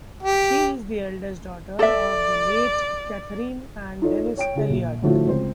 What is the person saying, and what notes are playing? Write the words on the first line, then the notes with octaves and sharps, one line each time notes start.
She is the eldest daughter of the late Catherine and Denis Elliott.
G4
A4 D5 E5
D#4 F4 A4 C#5
C#5 G5 D7
C#3 G#4
A#1
A2 D3 F3 A3 F4 F#4
C#2 C4 C5